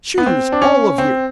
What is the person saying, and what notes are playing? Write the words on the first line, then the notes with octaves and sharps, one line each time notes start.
"Choose, all of you!"
B3
C4
D4
C#4
C4